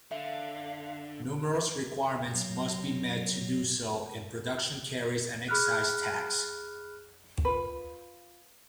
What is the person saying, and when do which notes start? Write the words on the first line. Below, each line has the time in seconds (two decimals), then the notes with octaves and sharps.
Numerous requirements must be met to do so and production carries an excise tax.
0.11 D3 E5 F5
2.35 B2 F#3
5.48 G#4 B5 F6 F#6
7.45 F4 B4